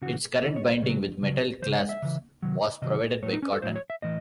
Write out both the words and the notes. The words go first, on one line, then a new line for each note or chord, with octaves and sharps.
Its current binding, with metal clasps, was provided by Cotton.
C#3 E3 F#4
C#3 E3 A4
C#5
C5
C#3 F#3
C#3 F#3
E3 C5
C#3
C#5
E5
C#3 E3
C3 D#3 F#3
C3 D#3 F#3 D#5
A2 F#3 C#5
D#4
C#4
A4
A2 F#3 C5
C#5
E5
A2 E3 D#5